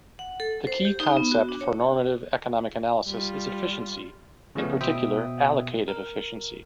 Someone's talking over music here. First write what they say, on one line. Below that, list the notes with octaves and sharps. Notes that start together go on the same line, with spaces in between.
The key concept for normative economic analysis is efficiency, in particular, allocative efficiency.
F#5
A4
C5
G4
D#4
B3
F#4
D4
C#5
G3 F4
C#3 F3 A3 B3 C#4
B2 C5 E5 G5 D#6
A#4